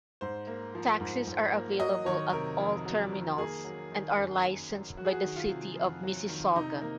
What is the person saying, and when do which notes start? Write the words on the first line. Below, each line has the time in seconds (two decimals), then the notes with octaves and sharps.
Taxis are available at all terminals, and are licensed by the City of Mississauga.
0.21 G#2 C5
0.47 A#3
0.75 F3
1.00 G#2
1.27 G#2
1.54 A#3
1.79 F#3 D#5
2.06 D#3 C#5
2.33 C3 A#4
2.59 F2
2.85 F#3
3.12 D#3
3.38 A#3 G#4
3.64 F#3
3.92 D#3
4.17 F#2
4.44 A#3
4.71 F#3
4.97 F#3 F#4
5.05 G#4
5.12 F#4
5.24 D#3
5.36 F4
5.50 C3
5.76 F2
6.03 F#3
6.29 D#3
6.55 C3 D#4
6.81 A#3